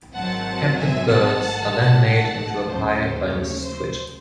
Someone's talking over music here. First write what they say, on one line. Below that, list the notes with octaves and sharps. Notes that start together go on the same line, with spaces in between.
Captive birds are then made into a pie by Mrs. Twit.
G#1 G#2 D#3 F#3 C4 F#5 A5
E5 G#5
F#5 A5
G#1 G#2 D#3 A3
F#5 A5
D#2 C#3 F#3 A3 C5
C#5
C5